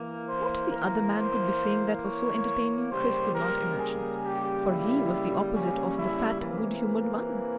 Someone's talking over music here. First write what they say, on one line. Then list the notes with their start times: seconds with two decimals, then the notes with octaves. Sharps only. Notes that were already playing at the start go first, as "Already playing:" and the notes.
What the other man could be saying that was so entertaining Chris could not imagine, for he was the opposite of the fat good-humored one.
Already playing: E3 A#3
0.28 C5
0.72 A#4
1.16 C5
2.04 C#5
2.91 C#3 G3 A#3 C5
3.35 A#4
3.78 G#4
4.23 G4
4.67 E4
5.54 C#4
5.98 E4
6.41 C3 E3 A#3